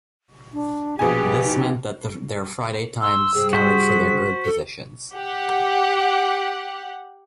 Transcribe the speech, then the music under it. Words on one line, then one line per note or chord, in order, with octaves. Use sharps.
This meant that their Friday times counted for their grid positions.
D4
A#1 B2 G4 G#4 B4 G#5
D#4
C6 E6
G2 C3 G#4
F#4 C5 B6
A4
G4 F#5